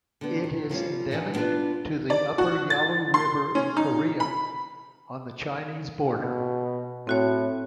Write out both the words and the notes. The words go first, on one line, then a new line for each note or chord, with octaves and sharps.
It is endemic to the upper Yalu River in Korea, on the Chinese border.
D3 B3
D#3
C#3 F3 G3 C#4
B2 D3 E3 D#4
B3 D4 F4 G4 B4
D5
F#4
A6
C6
C#4
D#4
B5
B2
A2 C4 F#4 C#5